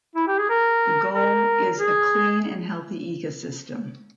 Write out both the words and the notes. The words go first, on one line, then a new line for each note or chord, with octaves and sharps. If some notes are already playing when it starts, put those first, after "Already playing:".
Their goal is A clean and healthy ecosystem.
E4
G4
G#4
A#4
A#4
G#4